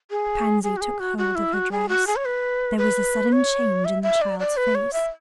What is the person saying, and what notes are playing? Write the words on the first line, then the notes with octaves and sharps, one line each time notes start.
Pansy took hold of her dress; there was a sudden change in the child's face.
G#4
G#4
F#4
G#4
F#4
F#4
E4
F#4
G#4
F#4
G#4
C#5
B4
B4
C#5
E5
E5
D5
D5
B4
C#5
E5